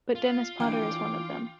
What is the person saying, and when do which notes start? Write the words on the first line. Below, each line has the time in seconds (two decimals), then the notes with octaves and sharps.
But Dennis Potter is one of them.
0.15 F4
0.60 E3 D4 E4 G5 D6